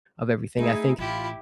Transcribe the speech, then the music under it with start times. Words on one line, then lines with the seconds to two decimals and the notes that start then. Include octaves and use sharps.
of everything I think,
0.57 A3 D#4 E4 G#4
0.99 A1 E4 F4 G4 B5